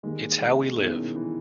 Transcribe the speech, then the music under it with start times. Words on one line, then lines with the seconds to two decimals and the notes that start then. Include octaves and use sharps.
It’s how we live.
0.03 D#3 G3 G#3 A#3
0.41 G#3
0.78 B2 D#3 G3 C#4 E4
0.97 D#3
1.16 E3